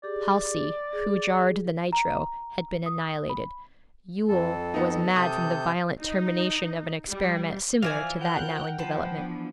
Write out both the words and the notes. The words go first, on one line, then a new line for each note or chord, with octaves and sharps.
Halsey, who jarred the nitro, had been annihilated. Ewell was mad from the violent termination of an experiment similar to that now in development.
G4 G#4 D5
G#4
A#5
D#6
B5
F2 A4
B3 D#4
C3 A4 D#6 G6
D#4
G3
E3 F3 D5 F5 G#5
A#4 F#5 G5 F#6 G6
F3 B4 C5 A5
E3 B3 D4